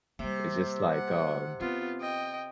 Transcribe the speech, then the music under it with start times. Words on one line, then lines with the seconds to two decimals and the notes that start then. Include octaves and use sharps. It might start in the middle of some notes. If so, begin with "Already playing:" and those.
is just, like, um,
0.19 C3 G3 A#3
0.93 F#5
1.61 B3 C4 F4
2.00 D#5 G5